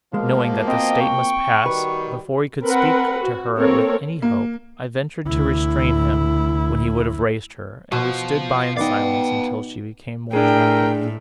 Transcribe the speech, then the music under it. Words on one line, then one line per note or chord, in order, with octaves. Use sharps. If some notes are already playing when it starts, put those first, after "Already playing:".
Knowing that this state must pass, before we could speak to her with any hope, I ventured to restrain him when he would have raised her, and we stood by in silence until she became more tranquil.
B2 F3 G#3 A#3 F5
C4 D#5 G5
C#6
D#3 G3 F#4 B4
C4 A#4 B4 F#5
F#4
A#3 C4 A4 A#4 C#5
A#3
D2 E4
B2 F4 C5
B3 D#4 B4 D5 F5 G5
A2 D4 G#4 A#4 G5